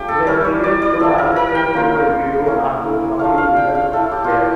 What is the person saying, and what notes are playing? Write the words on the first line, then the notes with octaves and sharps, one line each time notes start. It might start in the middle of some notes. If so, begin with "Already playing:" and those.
The interior floor has the same low albedo as the surrounding lunar mare.
Already playing: A3 C#4 F4 G4
A4
G3 C#4 E4 A#4
C#5
D5
D5
F3 C#4 E4 A4
A#4
A#4
G5
A#3 C#4 F4
A#3 C#4 E4
A3 D4 F4 F5
F5
G5
F5
A3 C#4 E4 A4
G4
F4
G4